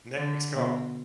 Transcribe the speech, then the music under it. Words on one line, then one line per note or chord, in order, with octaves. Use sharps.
next call.
D3
B2